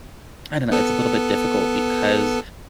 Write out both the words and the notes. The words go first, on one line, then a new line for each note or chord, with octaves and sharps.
I don't know, it's a little bit difficult because
B3 A4